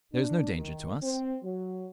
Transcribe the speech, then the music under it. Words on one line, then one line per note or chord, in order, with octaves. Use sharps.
There is no danger to us.
D4
D#3
C4
F#3